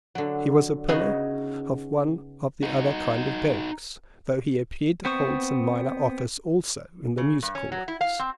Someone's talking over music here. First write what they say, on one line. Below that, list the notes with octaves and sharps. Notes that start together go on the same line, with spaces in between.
He was a pillar of one of the other kind of banks, though he appeared to hold some minor office also in the musical ones.
D3 F#3
C#3 B3 C#4 D#4 F#4 G#4
D#4 F#4
B3 C4 C5 C#6 D#6
C#3
G2
C#4
F#3
E4
F5
C4